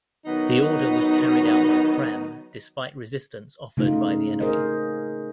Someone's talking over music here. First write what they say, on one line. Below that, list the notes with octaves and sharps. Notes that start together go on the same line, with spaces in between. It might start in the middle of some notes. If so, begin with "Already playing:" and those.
The order was carried out by Prem despite resistance offered by the enemy.
D#3 F#3 B3 D#4
C#3 A3 D#4 F4
G#4 A#4 C5 D#5